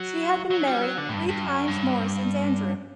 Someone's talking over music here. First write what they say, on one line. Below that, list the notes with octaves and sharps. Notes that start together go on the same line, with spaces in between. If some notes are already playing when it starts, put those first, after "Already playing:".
She had been married three times more since Andrew.
Already playing: F#3
F#3
G3
F#3
D3
A2
G2
G2
F#2
G2